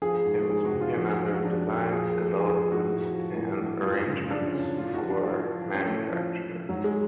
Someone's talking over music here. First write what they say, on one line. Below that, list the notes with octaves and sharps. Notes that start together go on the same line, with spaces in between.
It was only a matter of design, development, and arrangements for manufacture.
F3 G#4
G#2
G#2 G#4
F#4
G#2
F4
F2 F#4
G#4
F3 G#4
F#4
F2 D4
D4
F2
F#4
F3 G#4
F2 A4
F2 G#4
G#4
F2
F#4
A2
F3
A2
A2
F#2 F4
C#3
F3 D4
C#4
C#3
D4
A2 F4
F#4
F3
D4
A2
F3
A2 C#4
A3
A2
F3
F3
F3
G#2 F#3
G#3